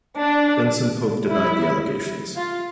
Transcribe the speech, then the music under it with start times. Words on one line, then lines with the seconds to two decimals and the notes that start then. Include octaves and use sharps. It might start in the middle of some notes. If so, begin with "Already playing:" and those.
Benson-Pope denied the allegations.
0.18 D4
1.28 E4
2.37 F4